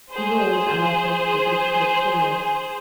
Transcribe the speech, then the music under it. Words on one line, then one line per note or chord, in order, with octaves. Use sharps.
He rose and offered the visitors chairs.
G#4 C5